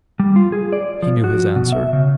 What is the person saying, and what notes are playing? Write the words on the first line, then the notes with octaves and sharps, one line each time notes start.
He knew his answer.
G3
F4
G#4
D5
F3
F#4
B2
E5
C#3